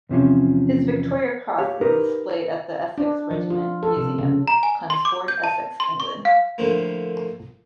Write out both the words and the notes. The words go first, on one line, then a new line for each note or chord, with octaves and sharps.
His Victoria Cross is displayed at The Essex Regiment Museum, Chelmsford, Essex, England.
E2 C3 F3 C#4
G4 C#5 F5
D#4 G4 A#4 B4
D4
F3
F4
A4
C3
C#3
A#5
G#5
C6
D6
G6
A5
C6
C#6
F5
A2 D3 F3 A#3